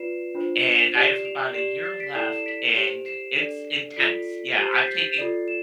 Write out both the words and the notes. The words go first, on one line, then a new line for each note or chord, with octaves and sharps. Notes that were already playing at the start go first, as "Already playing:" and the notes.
and I have about a year left, and it's intense. Yeah, I'm taking
Already playing: F4 B4 D5 C7 E7
D4 F4 C5
C7 E7
G4 D5 C7 E7
D7 F7
G4 D5 C7 E7
A6 C7
B6 D7
E4 A4 D5 C7 E7
E7
B6 D7
E7
G4 C5 D7 F7
C7 E7
D4 A4 D5
C7
F4 A4 D5 B6 D7
G4 C5 A6 C7
G6 B6
A6 C7
F4 A4 D5
E7